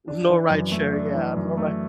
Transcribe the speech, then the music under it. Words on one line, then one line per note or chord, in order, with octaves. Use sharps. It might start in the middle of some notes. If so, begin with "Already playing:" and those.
no rideshare, yeah, no ri
D4
E3
F#2
A3
D4
E3
F#2
A3